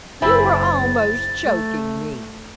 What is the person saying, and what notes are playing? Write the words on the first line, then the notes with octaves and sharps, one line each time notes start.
You are almost choking me!
F#1 C4 E4 G#4 B5 A6
A3